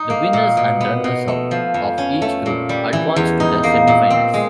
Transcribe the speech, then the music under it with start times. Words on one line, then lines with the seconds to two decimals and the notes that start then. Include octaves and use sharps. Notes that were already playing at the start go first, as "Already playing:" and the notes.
The winners and runners-up of each group advance to the semifinals.
Already playing: D#4
0.10 A#3
0.33 A#2
0.57 B2
0.81 B3
1.04 B2
1.28 A3
1.51 F3
1.74 F2
1.98 C#4
2.22 A3
2.46 A#2
2.69 G3
2.93 E3
3.16 E2
3.40 D#4
3.63 A#3
3.87 A#2
4.10 C4
4.34 G#3